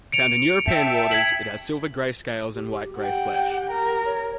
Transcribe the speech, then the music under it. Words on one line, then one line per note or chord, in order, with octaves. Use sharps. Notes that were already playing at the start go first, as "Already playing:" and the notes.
Found in European waters, it has silver grey scales and white-grey flesh.
C#7 D7 F7
E5 G5 A5
G#6 B6 F#7
G4
G4 F#5 G5
A#4
C#5